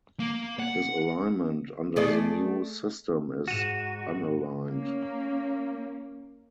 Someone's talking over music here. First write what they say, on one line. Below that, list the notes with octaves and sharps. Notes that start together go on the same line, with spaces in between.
His alignment under the new system is Unaligned.
A#3
F#5
A3 G#4 D5
G#2 F#4 D#7 E7
A#3 C#4